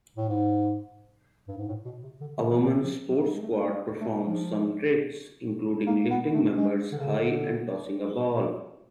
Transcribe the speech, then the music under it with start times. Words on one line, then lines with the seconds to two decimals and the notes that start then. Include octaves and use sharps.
A women 's sports squad performs some tricks, including lifting members high and tossing a ball.
0.17 A2
0.29 G#2
1.48 G2
1.57 G#2
1.68 A2
1.85 B2
2.03 C3
2.21 D3
2.37 D3
2.50 E3
2.61 D#3
2.84 F3
3.08 F#3
3.25 G3
3.36 G#3
3.42 A3
3.59 A#3
4.01 A3
4.24 F3
5.86 A#3
6.10 B3
6.34 A3
6.57 G#3
6.92 D3
6.99 C#3
7.07 D3